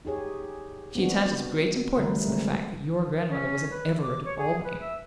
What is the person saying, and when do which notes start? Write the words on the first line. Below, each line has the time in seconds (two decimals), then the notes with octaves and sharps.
She attaches great importance to the fact that your grandmother was an Everard of Albany.
0.05 D#4 G4 G#4 C#5
0.95 B3 C4 D4 F#4
1.96 D3 E3 G3 A3 A#4 B4
2.27 G#3 C4
3.30 C#4
3.70 B4
4.02 D6
4.25 C#5
4.38 G#4
4.64 B4
4.80 E5